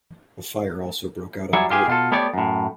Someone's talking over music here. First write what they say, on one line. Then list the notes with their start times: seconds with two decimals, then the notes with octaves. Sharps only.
A fire also broke out on board.
1.53 F#3 G3 E4 G#4 C#5
1.70 F4 G4 G#4
1.87 B2 F4 A4
2.12 A3 B3 G4 C#5 D5
2.33 F#2 A2